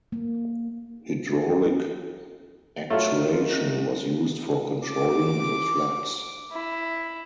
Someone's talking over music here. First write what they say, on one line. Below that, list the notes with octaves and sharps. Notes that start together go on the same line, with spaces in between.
Hydraulic actuation was used for controlling the flaps.
A#3
F#3 A3 F4
D#3
D6
E4